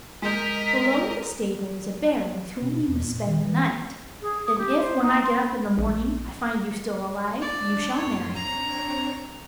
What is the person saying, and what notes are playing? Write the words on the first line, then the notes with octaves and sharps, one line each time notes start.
Below in the stable is a bear with whom you must spend the night, and if when I get up in the morning I find you still alive you shall marry me.'
G#3 A#4 D#5 G6 B6
B2
E2
A#2
D#3
E3
G#4
D#6
G4
C5
D#4
C6
B5
A#1
D4 D5 A5
F#2 A2 C#5 C6
C4 D4 C#5 A#5